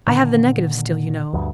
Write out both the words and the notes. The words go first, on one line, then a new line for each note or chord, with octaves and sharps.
"I have the negative still, you know."
A#2 D3 D#3
D2 G2